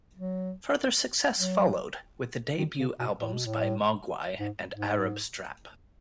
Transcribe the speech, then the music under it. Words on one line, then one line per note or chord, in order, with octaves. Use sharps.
Further success followed with the debut albums by Mogwai and Arab Strap.
F#3
F#3
D#3
C#3
B2
A2
B2
A2
G#2
G#2